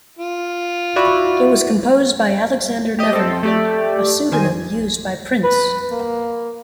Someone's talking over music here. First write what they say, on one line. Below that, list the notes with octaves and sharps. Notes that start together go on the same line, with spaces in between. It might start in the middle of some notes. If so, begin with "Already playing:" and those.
It was composed by Alexander Nevermind, a pseudonym used by Prince.
F4
E4 F#4 D5
G4 D#5
C4 A4
A3 G4 D5
D#3 C5 G#5
B4
A#3